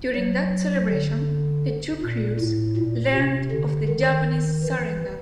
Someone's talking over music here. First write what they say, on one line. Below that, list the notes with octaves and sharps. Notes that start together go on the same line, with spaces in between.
During that celebration, the two crews learned of the Japanese surrender.
F#3
D3
A#2
A2
A#2
C3
D3
D#3
E3